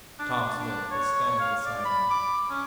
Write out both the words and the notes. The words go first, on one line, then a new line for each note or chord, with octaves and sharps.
Tom Smith was standing beside him.
D4
D4
C#5
F5
D5
B5
D6
C#4